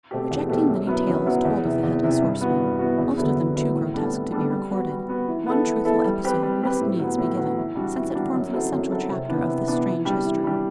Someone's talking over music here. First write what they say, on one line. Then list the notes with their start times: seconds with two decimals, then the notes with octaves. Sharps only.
Rejecting many tales told of the Headless Horseman--most of them too grotesque to be recorded--one truthful episode must needs be given-- since it forms an essential chapter of this strange history.
0.11 B2 A3 C4 G4
0.31 E2
0.49 B2 A3 C4 G4
0.69 F#2
0.87 F#3 B3 E4
1.07 F#2
1.26 F#3 B3 E4
1.45 E2
1.63 C3 E3
1.83 E2
2.03 C3 E3
2.22 G2
2.41 E3 B3 F#4
2.60 G2
2.79 E3 B3 F#4
2.98 E2
3.17 D3 F#3 B3 E4
3.36 E2
3.56 D3 F#3 B3 E4
3.75 A2
3.94 G3 B3 D4 A4
4.12 A2
4.32 G3 B3 D4 A4
4.50 G3
4.70 B3 F#4
4.89 G3
5.08 B3 F#4
5.28 E3
5.46 B3 E4 A4
5.66 E3
5.84 B3 E4 A4
6.04 G3
6.23 C4 G4 B4
6.43 G3
6.61 C4 G4 B4
6.80 A2
6.99 F#3 B3
7.18 A2
7.37 F#3 B3
7.57 E3
7.75 G3 D4 F#4
7.95 E3
8.14 G3 D4 F#4
8.34 F#2
8.53 F#3 C4 E4 A4
8.72 F#2
8.90 F#3 C4 E4 A4
9.10 C3
9.29 E3 B3 D4
9.48 C3
9.67 E3 B3 D4
9.86 E3
10.05 G3 D4 G4
10.25 E3
10.44 G3 D4 G4